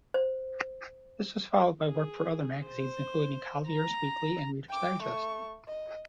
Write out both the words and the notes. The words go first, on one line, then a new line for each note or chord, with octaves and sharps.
This was followed by work for other magazines, including "Collier's Weekly" and "Reader's Digest".
C5
G#4
C5
A#5
G5 D6
A3 C#6
D#5